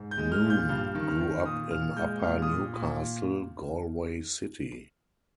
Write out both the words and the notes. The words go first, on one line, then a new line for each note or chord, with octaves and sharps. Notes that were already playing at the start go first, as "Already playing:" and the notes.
Noone grew up in Upper Newcastle, Galway City.
Already playing: G#2
G6
G#3
F6
A#2
G6
G2 F6
D#3
F6
D#3
A#2 D#6
A#2 F6
G#3 G6
A#2 F6
D#6
A#2
A#2